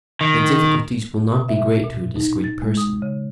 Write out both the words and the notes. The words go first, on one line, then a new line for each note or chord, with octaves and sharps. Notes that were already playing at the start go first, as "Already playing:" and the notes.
The difficulties will not be great to a discreet person.
D#3
B2
E5
A#2
D#4
A6
G#3
D#6
C#3